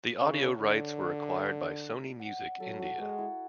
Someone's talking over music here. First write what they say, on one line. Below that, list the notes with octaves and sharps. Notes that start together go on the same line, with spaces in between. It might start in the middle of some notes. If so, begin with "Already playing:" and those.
The audio rights were acquired by Sony Music India.
C#3 C#5
D3
D5
F#5
F#3 A4
F#4
G#3 F#4
E4